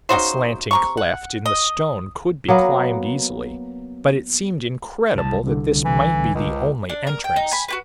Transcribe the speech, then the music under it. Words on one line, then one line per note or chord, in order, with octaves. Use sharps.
A slanting cleft in the stone could be climbed easily, but it seemed incredible that this might be the only entrance.
C#3 D#4 F#4 C5
C3 A#5 C#6
F#5
D#5
F#3 A#3 B3
C2 A5
C2 D3
E3
C#2
D4
A#4
G5
D#4
G#5 B5
F#4 G4 B4